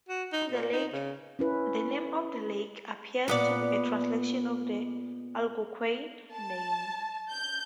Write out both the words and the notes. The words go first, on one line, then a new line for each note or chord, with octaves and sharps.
The name of the lake appears to be a translation of the Algonquian name.
F#4
D#4
A#2
D#4
C#3
C#4 E4 B4
A#2 B3 D5
A5
G6